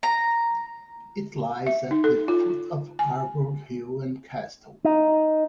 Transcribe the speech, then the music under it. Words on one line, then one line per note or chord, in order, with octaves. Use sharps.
It lies at the foot of Aarburg hill and castle.
A#5
E5
D#4
A4
F4
G#5
D#4